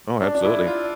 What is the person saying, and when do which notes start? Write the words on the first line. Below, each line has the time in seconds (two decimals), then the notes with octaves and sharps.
Oh, absolutely.
0.22 D4
0.35 D4
0.45 E4
0.67 F4